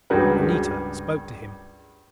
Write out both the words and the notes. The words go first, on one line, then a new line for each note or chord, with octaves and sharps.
Anita spoke to him.
C#2 G2 F#3 G#4 A#4 B4